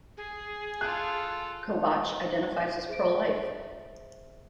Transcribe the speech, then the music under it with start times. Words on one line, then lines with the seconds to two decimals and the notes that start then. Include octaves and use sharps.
Kobach identifies as pro-life.
0.17 G#4
0.81 F4 A4 F#6
2.89 G#4 C5 E5 D7